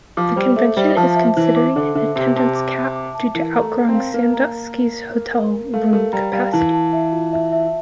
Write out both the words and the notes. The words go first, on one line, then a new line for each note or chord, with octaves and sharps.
The convention is considering an attendance cap due outgrowing Sandusky's hotel room capacity.
F3 D6
G3 C5
A3 E5
G3 C5
F3 A5
E5
E3 C5
D6
D3 D6
D3 E5
C3 E5
C3 A5
D6
E5
D6
A5
E3 A#4
A#5
A3
A#4
C4
F5
A#3 A#4
A#5
A#4
A#4
A#4
A#4
A#4
A#4
A3 F5
A3 A#4
G3 A#5
G3 F5
E3 A5
A5
E5
F4
E5
E5